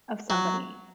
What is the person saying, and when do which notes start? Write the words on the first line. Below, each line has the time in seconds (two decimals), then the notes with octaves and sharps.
of somebody.
0.30 F#3